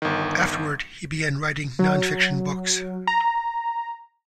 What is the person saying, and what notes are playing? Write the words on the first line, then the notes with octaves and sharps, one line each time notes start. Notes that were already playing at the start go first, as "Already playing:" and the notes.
Afterward, he began writing non-fiction books.
G1 D#3
F#3
A#5